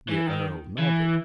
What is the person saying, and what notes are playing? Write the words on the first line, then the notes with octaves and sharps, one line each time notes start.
The Earl nodded.
E3
D#3
E3